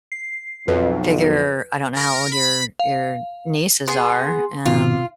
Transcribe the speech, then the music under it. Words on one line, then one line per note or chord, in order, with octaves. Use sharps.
figure I don't know how old your your nieces are, um,
C7
B1 F2 B4
A#4
B5
F5
B3 G#4 C6
G#2 B2 D#3 F4